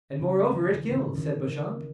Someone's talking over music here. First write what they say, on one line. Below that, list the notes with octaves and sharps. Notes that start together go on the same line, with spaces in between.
"And moreover, it kills," said Beauchamp.
C#3
D#3
E3
C#3
D#3
D#3